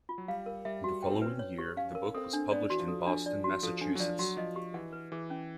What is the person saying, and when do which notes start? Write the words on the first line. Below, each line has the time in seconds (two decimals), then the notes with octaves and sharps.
The following year, the book was published in Boston, Massachusetts.
0.09 F4
0.18 F#3
0.28 G3 F5
0.46 A#4
0.65 G3 E5
0.84 F#4
1.03 G3 G5
1.11 C4
1.22 C4 B4
1.30 C#4
1.39 C#5
1.58 G4
1.77 C#4 F5
1.95 A#4
2.15 C4 A4
2.33 D4
2.52 B3 D5
2.70 E3 F#4
2.79 F3
2.88 A4
3.07 D4
3.26 D5
3.44 F#4
3.63 F3 A4
3.81 F3 D4
3.95 F#3
4.00 F3 D5
4.19 F#3 F#4
4.37 F3 D#5
4.56 G4
4.74 E3 F#5
4.93 B4
5.12 E3 G#4
5.30 C#4